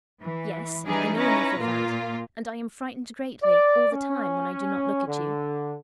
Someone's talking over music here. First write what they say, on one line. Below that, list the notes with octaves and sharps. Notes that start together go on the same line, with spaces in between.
'Yes, I know enough of that; and I am frightened greatly, all the time, when I do not look at you.'
E3
E3 G3 D4 D#4 G#4
C#4 D#4 E4 B4 A#5
A#2 A#3 F4
D5
C#4
D3